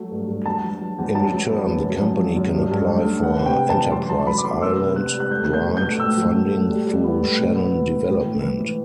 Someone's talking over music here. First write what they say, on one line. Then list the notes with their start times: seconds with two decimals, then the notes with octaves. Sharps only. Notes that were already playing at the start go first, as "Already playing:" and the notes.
In return the company can apply for Enterprise Ireland grant funding through Shannon Development.
Already playing: F#3 A3
0.11 G2
0.28 G2
0.45 E2 A5
0.64 F#3
0.81 F#3
0.98 E2
1.15 F#2 A5
1.33 F#3
1.50 B3
1.67 F#2
1.85 F#2
2.01 F#2
2.19 F#3
2.37 F#2
2.54 G2
2.71 G2
2.88 A3
3.05 A3
3.23 B3 F#5
3.40 C3
3.46 G5
3.58 C3
3.70 A5
3.75 E3
3.92 F#2 C6
4.10 F#3 A5
4.27 F#2 B5
4.38 D6
4.44 A3 C6
4.61 B3 E6
4.79 C3
4.96 B3 F#6
5.13 G3
5.20 F#6
5.31 A3 G6
5.49 B2 G6
5.66 B2
5.77 G6
5.83 A3
6.00 A2 E6
6.17 F#3
6.34 A3
6.52 A3
6.69 G3
6.87 G3
7.04 B3
7.22 A2
7.39 B2
7.56 B3
7.73 B3
7.90 B3
8.08 A2
8.25 E3
8.43 E3
8.60 E3